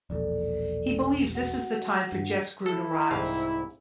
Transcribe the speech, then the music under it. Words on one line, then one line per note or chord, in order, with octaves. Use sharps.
He believes this is the time for Jes Grew to rise.
E1 A#1 A4 D5
F#4 F#5
G2
E4 A4
C2 G#2 F5